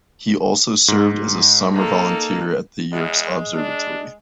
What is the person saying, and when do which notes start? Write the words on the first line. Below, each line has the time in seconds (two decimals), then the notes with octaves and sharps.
He also served as a summer volunteer at the Yerkes Observatory.
0.88 G#2
1.74 A#3 D#4 A4
2.92 E2 G#3
3.55 D4